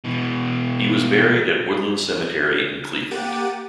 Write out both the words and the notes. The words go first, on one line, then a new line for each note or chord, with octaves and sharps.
He was buried at Woodland Cemetery in Cleveland.
B2 E3
A#3 G4 F#5 A6 D7 D#7